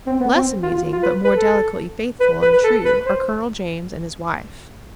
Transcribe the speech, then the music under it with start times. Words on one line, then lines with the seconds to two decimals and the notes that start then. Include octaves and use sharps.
Less amusing but more delicately faithful and true are Colonel James and his wife.
0.07 C4
0.20 B3
0.34 C4
0.63 F4
0.78 F4
0.92 F4
1.03 B4
1.24 B4
1.35 A4
2.20 B4
2.42 B4
2.53 B4
2.64 A4
2.85 B4
3.06 C5